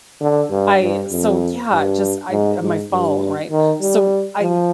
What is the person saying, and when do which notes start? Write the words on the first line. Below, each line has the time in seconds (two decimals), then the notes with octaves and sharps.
I so, yeah, just I, uh, my phone, right? So, I
0.21 D3
0.51 G2
0.81 G2
1.11 F2
1.71 G2
2.31 G#2
2.61 G#2
2.91 G2
3.51 D#3
3.81 G3
4.41 F3